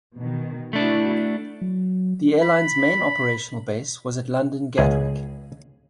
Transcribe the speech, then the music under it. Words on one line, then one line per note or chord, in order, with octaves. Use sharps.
The airline's main operational base was at London Gatwick.
B2 D#3
A3 D4 E4 F#4
F#3
B5
C#2 G#4